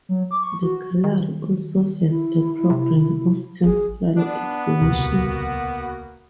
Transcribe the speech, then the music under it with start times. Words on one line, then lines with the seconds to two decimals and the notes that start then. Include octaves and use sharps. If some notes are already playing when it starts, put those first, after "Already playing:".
The gallery also has a programme of temporary exhibitions.
0.09 F#3
0.31 D6
0.43 C#6
0.63 F#4
1.04 D#3
2.10 E4
2.70 C3
3.64 G#1 G#4
4.17 B3 D4
4.82 D#1 C#2 C3 A#3 F#4